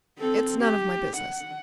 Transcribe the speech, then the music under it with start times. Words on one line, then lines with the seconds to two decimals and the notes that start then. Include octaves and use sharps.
It's none of my business.
0.19 C4 A4
0.61 G4
1.17 F#5